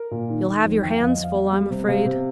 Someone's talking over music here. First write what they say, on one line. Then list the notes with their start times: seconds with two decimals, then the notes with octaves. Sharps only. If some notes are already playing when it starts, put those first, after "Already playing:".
You'll have your hands full, I'm afraid.
Already playing: A#4
0.11 A#2
0.30 D#3
0.48 D#3
0.64 F2
0.83 F2 G5
0.96 F2 F5
1.10 D#5
1.17 F2
1.23 F5
1.34 G3
1.52 G3
1.71 C3
1.88 C3 F5
2.06 C3